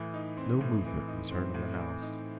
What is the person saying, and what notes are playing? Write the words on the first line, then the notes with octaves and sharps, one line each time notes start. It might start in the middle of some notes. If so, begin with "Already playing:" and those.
No movement was heard in the house.
Already playing: A2 E3
D#4
C4
A2
E3
D#4
C4
A2
E3
D#4